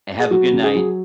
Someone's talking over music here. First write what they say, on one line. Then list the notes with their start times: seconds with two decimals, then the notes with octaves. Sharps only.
And have a good night.
0.19 G#4
0.31 F#3 F#4
0.53 C#3
0.64 G#4
0.75 F#3